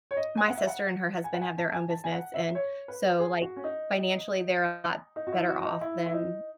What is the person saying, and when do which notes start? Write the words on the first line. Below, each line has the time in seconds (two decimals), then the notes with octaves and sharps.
my sister and her husband have their own business and so like, financially they're a lot better off than
0.11 C#5
0.17 D#5
0.37 G#5
0.48 F#5
0.57 E5
0.67 F#5
1.24 G#5
1.34 F#5
1.42 G#5
1.58 A5
1.69 A5
1.73 G#5
1.90 A5
2.04 G#5
2.12 F#5
2.34 E5
2.55 C#5
2.88 B4
3.20 G#4
3.42 F#4
3.56 C#4
3.64 D#4
5.16 D#4
5.27 F#4
5.32 E4
5.48 F#4
5.65 D#4
5.81 E4
6.06 E4
6.14 D#4